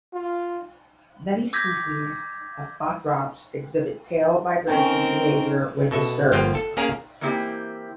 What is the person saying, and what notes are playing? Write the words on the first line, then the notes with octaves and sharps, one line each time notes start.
Many species of Bothrops exhibit tail vibration behavior when disturbed.
F4
D6 E6 G6 G#6 A#6 B6
D#3 C4 C#4 A#4
B2 A4 E5
G1 F3 A#3 F4 G5
A4
A#3 C#4 G#4 A#4 F5 A#5
E3 A#3 C4 E4 G4